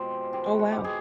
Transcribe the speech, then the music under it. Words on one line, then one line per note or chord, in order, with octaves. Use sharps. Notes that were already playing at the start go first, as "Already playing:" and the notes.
Oh, wow.
Already playing: B2 G#3 C4 F4 G4
D#3 G#3 B3 G4
F#4
F#4
G4
G#4